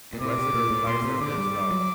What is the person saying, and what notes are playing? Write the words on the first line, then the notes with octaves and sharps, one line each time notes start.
Wesley replies that There's love.
A#2
C3 D6
C3
A#2
A2
A#2 C6
C3
D3 D6
G3
F#3